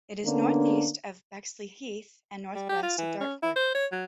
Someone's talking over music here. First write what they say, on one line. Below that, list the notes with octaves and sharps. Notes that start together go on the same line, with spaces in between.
It is northeast of Bexleyheath and northwest of Dartford.
D3 A#3 B3 C#4 D4
G3
G4
F4
E3
C#4
E4
C5
C#5
F#3